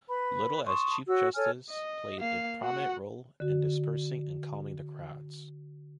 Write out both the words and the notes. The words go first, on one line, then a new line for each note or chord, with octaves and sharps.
Little, as Chief Justice, played a prominent role in dispersing and calming the crowds.
B4 B5
A5 C6 C#6 D#6
F#4 C#5 E6
A4 C#5 G#5 F6
D#5
A#3 F5
F#4 F#5
D3 F#4